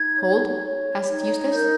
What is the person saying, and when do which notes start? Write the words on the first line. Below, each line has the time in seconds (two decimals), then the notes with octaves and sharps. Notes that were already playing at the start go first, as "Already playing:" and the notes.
"Cold?" asked Eustace.
Already playing: D#4 G#6
0.16 C#5
0.62 C#5
1.06 D#4
1.52 A#4 G6